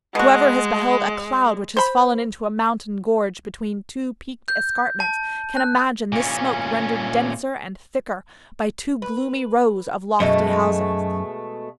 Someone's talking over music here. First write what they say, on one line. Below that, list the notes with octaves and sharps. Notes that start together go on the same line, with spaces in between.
Whoever has beheld a cloud which has fallen into a mountain gorge between two peaked escarpments can imagine this smoke rendered denser and thicker by two gloomy rows of lofty houses.
B2 G#3 F#4
C5 B5
G6
A5
F#6
A#2 C#4
B4
F#2 B2 G#3 A3